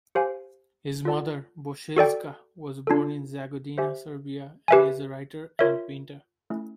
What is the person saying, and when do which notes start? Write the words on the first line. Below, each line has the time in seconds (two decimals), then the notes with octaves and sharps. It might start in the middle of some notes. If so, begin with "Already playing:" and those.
His mother, Bosiljka, was born in Jagodina, Serbia, and is a writer and painter.
0.15 G4 C5 F5 G#5
1.05 F4 A4 D5 F#5 A5
1.97 F#4 A4 D5 G5
2.87 D4 F4 A4
3.78 G4 C5 E5 G#5
4.68 G4 B4 E5 G#5
5.59 F4 A#4 C#5 E5
6.50 A3 C#4 E4